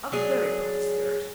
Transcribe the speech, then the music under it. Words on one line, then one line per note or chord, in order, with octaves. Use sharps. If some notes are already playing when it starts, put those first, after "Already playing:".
A very proper spirit!'
F#3 D4 G#4